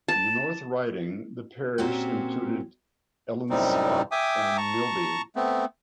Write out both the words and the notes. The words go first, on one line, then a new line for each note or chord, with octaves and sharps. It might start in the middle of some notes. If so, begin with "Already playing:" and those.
In the North Riding the parish included Ellenthorpe and Milby.
A5
A#2 A#3 C4 C#4 F#4 G4
F#2 A2 C3 G3 C4 D#4
E5 G5 G#5 D6 D#6
A5 A#5 C#6
A3 B3 C4